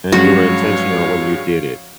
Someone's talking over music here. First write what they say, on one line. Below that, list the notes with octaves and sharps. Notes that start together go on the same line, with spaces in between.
And you were intentional when you did it.
G2 F3 F#3 G#3 C#4 F#4 C#5 F5